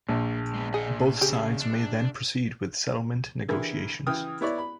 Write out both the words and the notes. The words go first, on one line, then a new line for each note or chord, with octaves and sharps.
Both sides may then proceed with settlement negotiations.
A#1 A#2
G#3 B3
G#4 D#5 F#5
A#2
C#3 G4 G#4
D4
D3 E3 E4 G4 G#4 A#4
C#3 E3 G5 D#6 F6
B3 E4 C#5 D5
B5